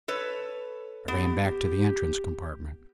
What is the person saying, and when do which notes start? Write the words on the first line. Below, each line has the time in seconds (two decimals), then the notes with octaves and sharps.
I ran back to the entrance compartment.
0.08 A4 B4 C#5
1.08 B3 G4